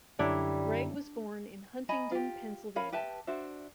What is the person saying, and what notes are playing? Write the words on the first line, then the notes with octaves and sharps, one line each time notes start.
Gregg was born in Huntingdon, Pennsylvania.
F#2 D3 G3 D4 E4 C#5 D5 A#5
D#5 G#5 A#5 B5
F4 G4
C#4 A#4 F5 B5
G4 B4 E5 A5
D4 F#4 C5 E5